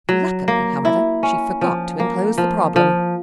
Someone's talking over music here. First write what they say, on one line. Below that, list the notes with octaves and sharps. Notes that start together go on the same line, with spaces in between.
Luckily, however, she forgot to enclose the problem.
F#3
A#3
E4
C#4
F3
A#3
F3
F3